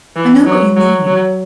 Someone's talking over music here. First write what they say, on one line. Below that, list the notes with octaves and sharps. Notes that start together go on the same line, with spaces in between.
I know what you mean.
E3
F#3
F#3
F#3